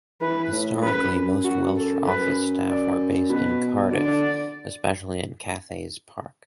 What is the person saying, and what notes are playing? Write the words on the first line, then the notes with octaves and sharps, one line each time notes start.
Historically, most Welsh Office staff were based in Cardiff, especially in Cathays Park.
E3 B4
A2
F#2 B4
F#4
A4
F#2 B4
D5
B2 B4
D3 D5
D3